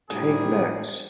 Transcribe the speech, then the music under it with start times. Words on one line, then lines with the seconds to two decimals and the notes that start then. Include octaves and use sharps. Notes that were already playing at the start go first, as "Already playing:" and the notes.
Take notes.
0.10 A2 C3 G3 D4 G#4